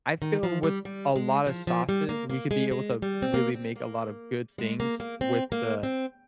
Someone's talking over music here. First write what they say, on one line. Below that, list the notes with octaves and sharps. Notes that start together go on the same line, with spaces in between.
I feel with a lot of sauces we could be able to really make a lot of good things with the
D#3
F3
G3
G3
G#3
F3
F3
G3
A#3
A#3
G#3
G#3
G3
C4
A#3
C4
A#3
G#3
A#3
A#3
C4
A#3
C4